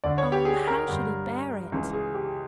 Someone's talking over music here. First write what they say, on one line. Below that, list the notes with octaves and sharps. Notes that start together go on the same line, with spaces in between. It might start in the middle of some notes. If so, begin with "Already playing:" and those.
Oh! how should he bear it?
D2 D3 D5
C#5
G4
G#4
A#4
G2 D3
C#2 C#3 E3
G#4
G4